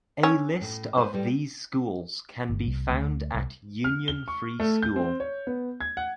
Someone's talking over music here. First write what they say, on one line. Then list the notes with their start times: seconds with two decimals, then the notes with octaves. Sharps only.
A list of these schools can be found at Union Free School.
0.23 C#4
0.61 A2
0.97 B4 C5
1.13 A2 G3
2.49 G1
2.67 C2
2.90 D2
3.35 C2
3.84 F6
4.08 G7
4.28 C#6
4.60 A3
4.82 G6
4.96 C4
5.20 C#5
5.47 B3
5.80 G#6
5.97 F#5